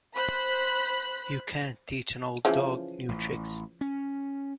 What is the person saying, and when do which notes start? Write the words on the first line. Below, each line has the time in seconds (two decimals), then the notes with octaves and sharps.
You can't teach an old dog new tricks.
0.15 C5 B5 F#6 B6
2.45 C#3 E3 F3
3.09 A1
3.81 C#4